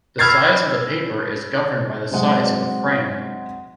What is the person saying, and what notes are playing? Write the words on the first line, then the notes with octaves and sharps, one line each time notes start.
The size of the paper is governed by the size of the frame.
B5 E6 F6 G#6 A6 C7
C3 F#3 G#3 F#5